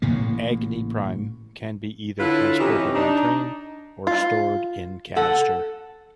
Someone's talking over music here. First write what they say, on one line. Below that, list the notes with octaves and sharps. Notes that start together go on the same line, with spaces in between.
Agni Prime can be either transported on train or stored in canister.
A1 A2 C#3 A#3
D3 E4 F4 A4 B4 C#5
C3 E3 C#4 D#4 G4
D4 D#4
F4
A4 F#5